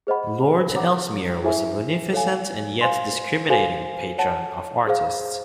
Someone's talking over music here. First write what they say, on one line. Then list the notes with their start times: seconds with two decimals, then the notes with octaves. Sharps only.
Lord Ellesmere was a munificent and yet discriminating patron of artists.
0.07 G#4 C5 D#5 F#5 B5
0.75 C#5 F#5 A#5 D6
1.44 E4 G#4 C5 E5 G#5
2.13 A4 C#5 F5 G#5
2.81 C5 F5 G#5 C6
3.49 F#4 A4 C5 F5 G#5
4.18 C#5 F#5 A5
4.87 G#4 C5 F5